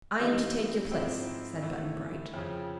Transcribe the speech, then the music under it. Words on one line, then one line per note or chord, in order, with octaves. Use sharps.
"I am to take your place," said Button-Bright.
E3 G3 C4 D#4
G#2 F3 G#3 C4 E4
A2 E3 A3
F2 C#3 F3